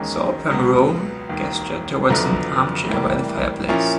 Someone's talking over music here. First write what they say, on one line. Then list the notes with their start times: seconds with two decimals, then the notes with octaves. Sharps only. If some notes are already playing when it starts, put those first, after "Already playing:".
Sir Pomereux gestured towards an armchair by the fireplace.
Already playing: E1 D#2 D#3 G#3 C#4
0.50 C#2 B2 F#3 B3
1.29 E1 D#2 D#3
2.09 F#1 F2 D3 F#3 B3
2.89 A2 E3 G3 A#3
3.69 A#2 F3 A#3 C#4 E4